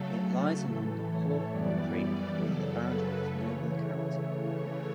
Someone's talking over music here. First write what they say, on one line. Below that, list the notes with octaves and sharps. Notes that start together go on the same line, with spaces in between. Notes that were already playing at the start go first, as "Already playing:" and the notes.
It lies along the Paw Paw Creek near the boundary with Noble County.
Already playing: C#3 F#3 A3 A4
A4
A2 E3 A3
C#5
F#2 E3 G3 B3 D5
F#2 C#3 F#3 A4
B4
C#3 E3 A3 C#5